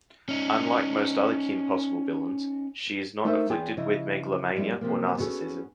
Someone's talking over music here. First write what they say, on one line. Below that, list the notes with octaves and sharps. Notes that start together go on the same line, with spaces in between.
Unlike most other "Kim Possible" villains, she is not afflicted with megalomania or narcissism.
C#4 D#4
A3 D#4 A4 A#4 C5 E5
E2 B3 F4 G#4 C#5 G5
C#3 F3 E4 D#5
F2 G3 A#3 E4
C3 F3 A#3
B3 C#4 F#4 G#4 A4